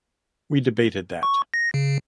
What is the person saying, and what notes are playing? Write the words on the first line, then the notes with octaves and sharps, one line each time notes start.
We debated that.
C#6
A#6
C#3